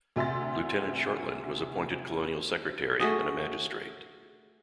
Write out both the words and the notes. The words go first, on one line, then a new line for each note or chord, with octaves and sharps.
Lieutenant Shortland was appointed colonial secretary and a magistrate.
D2 C3 E5 C6 A6
A3 F#4 G#4 D#5